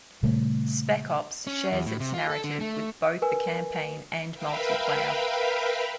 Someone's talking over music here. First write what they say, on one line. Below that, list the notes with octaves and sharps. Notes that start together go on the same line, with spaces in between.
Spec Ops shares its narrative with both the campaign and multiplayer.
A#2 C#3 G3 A3
C#4
E2
A2
C3
F4
A4
D3
A3
A#4 B4 G#5
A#4 B4 E5 F5 G5 B5